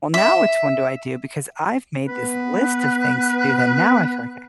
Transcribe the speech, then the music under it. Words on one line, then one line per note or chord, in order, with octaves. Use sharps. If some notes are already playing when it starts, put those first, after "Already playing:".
"Well, now which one do I do, because I've made this list of things to do that now I feel like
E5
B3 B4